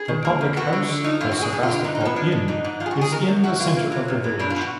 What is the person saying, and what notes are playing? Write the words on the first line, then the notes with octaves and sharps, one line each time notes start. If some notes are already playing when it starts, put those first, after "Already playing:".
The public house, The Sebastopol Inn, is in the centre of the village.
Already playing: G#4
D#3
A#3
F2
B3 F#4
D3
D3
F3 D#4
F#2 F4
F#4
D3
G#4
F#2 G#4
F4
D3
F4
G#2 D#4
D#4
F3 B3
G#3 D4
G#3
G#2 D#4
G#2
F3 F4
G#4
F#4
G#2
G#4
D#3 A#4
F#2
F#2 F#4
A#3 F4
A#3
F#3
F#2
F#3
B2 D4
F4
B2
F#4